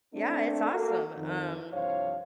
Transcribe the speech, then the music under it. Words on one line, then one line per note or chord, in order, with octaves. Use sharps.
Yeah, it's awesome, um,
A3 C4 D4
A#3 F#4 A4
F2 D#3
C2 G2 F3 C5 C#5 F5